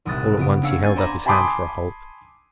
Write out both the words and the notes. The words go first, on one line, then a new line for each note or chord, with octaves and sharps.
All at once he held up his hand for a halt.
D#1 C2 D#6 F#6 A6
C#3 B3 D7
C#4 D4 C#5 F5 E6 C#7
G#5 G6 A6
C5 D5 G#5 A#5 B5 D6
G#5 A5 B5 C6 D6 D#6